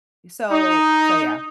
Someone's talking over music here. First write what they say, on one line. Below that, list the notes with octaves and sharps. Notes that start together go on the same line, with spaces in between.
so so, yeah.
D#4